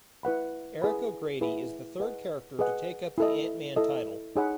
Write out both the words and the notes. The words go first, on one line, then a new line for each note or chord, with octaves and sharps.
Eric O'Grady is the third character to take up the Ant-Man title.
E4 B4 F#5 B5
E4 G#4 B4 F#5 B5
E4 G#4 B4 F#5 B5
G#4 B4 D#5 F#5
G#4 B4 D#5 F#5
E4 A4 D#5
E4 A4 D#5
D#4 G#4 C#5 F#5 B5